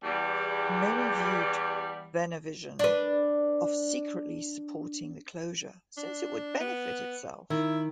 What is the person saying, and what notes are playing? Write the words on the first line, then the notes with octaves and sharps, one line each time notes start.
Many viewed Venevision of secretly supporting the closure since it would benefit itself.
E2 G3
D4 B4
D4
B3
D#3 E4